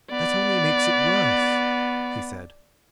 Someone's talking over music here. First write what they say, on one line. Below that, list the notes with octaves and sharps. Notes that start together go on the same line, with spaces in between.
"That only makes it worse," he said.
B3 D5